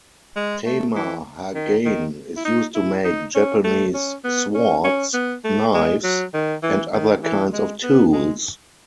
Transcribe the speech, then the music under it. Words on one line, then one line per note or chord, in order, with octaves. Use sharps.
Tamahagane is used to make Japanese swords, knives, and other kinds of tools.
G#3
A3
E3
D#3
D#3
E4
D#4
E4
D#4
C#4
A3
C#4
B3
C#4
C#4
B3
A3
G#3
F#3
D#3
E3
D#3
E3
G#3
B3
G#3